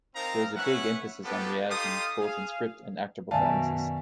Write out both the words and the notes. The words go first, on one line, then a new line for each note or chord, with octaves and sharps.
There is a big emphasis on reality both in script and actor performances.
C4 D#4 A#4 F5 A5 A#5
C#4 B4 C#5 E5 F#5
B3 C4 D4 F4 G4 A4
D#4 G4 A4 F5 C6 D#6
G#4 F5
F#2 B2 D#3 D5 E5 F5 G#5 A5